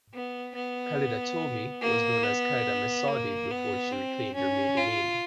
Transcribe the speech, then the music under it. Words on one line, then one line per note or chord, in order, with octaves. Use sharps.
Khalida Toumi was known as Khalida Messaoudi before she reclaimed her maiden name.
B3
B3
A#3
B3
A#3
B3
C4
C#4
F4